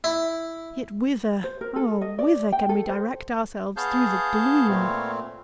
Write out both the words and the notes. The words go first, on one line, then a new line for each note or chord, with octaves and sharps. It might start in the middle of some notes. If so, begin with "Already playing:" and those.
Yet, whither--oh! whither, can we direct ourselves through the gloom?
E4
C5
A#4
A4
D#5
D5
G5
A4
C5
B3 G#4 C#5 F5 A5 G6
A#2 A3 C4